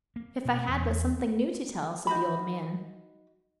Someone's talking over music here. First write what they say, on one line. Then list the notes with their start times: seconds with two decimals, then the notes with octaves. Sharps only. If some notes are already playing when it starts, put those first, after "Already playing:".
"If I had but something new to tell," said the old man.
0.16 A#3
0.45 B2
0.68 E2
2.07 D#4 F#4 B5